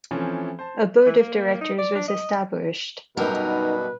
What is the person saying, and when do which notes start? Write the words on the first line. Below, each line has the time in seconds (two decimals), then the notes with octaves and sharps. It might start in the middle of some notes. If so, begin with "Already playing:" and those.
A board of directors was established.
0.11 E3 F3 A3 C4 C#4
0.59 C5 A5
1.06 E3
1.19 A#3
1.61 D#4
1.78 D5
1.95 D4
2.08 D#5
3.17 F#2 B2 D3 G3 D#4 A#4 B4